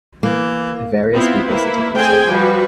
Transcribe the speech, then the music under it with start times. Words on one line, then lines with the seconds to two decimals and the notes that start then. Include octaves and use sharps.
Various people sitting on a subway.
0.23 E3 A#3
1.14 B3 C4 E4 F4
1.48 A#3 E4 B4
1.94 A3 C4 G#4 C5 G5 G#5
2.28 F3 G3 F#4 B4